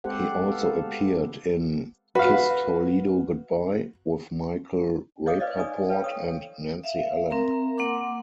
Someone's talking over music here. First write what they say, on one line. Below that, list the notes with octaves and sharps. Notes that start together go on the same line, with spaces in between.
He also appeared in "Kiss Toledo Goodbye" with Michael Rapaport and Nancy Allen.
G#3 C4 G4 A4 C5 F#5
B3 A4 F5
F#4 B4 F5
C#5 D#5 F5 D6 D#6
B4 C5 D5 D#5
D#4 D5 G#5 C#6 D#6
A4 B4 C#5 F5 G5
A4 C#6 D#6
E5 F5
C4 A#4 A#5
A#3 F#5 C6 D6